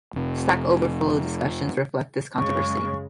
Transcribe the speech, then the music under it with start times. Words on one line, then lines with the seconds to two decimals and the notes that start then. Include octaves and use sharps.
Stackoverflow discussions reflect this controversy.
0.14 F1 C3
2.38 F#2 C#3 G#3 C#6